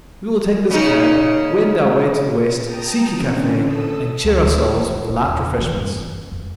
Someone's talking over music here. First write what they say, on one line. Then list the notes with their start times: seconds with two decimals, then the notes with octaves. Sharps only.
We will take this cab, wend our way to the West, seek a cafe, and cheer ourselves with light refreshments.'
0.71 C#3 D#4
2.63 G5 A5 A#5 D#6
3.09 D3 E3 C4 C#4
3.60 A4 D#6 E6
4.24 D2
4.42 E3
4.76 C4
5.09 A#2
5.25 E2
5.59 E3
5.78 F#2
6.00 C4
6.32 F2